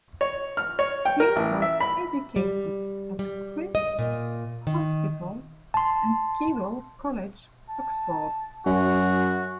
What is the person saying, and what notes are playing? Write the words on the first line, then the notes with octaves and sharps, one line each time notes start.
He was educated at Christ's Hospital and Keble College, Oxford.
C#5
F6
C#5
G5
A#4
A1
E5
B5
G3
G3
D#5
A#2
D#3
A5 C6
A5
F#2 F#4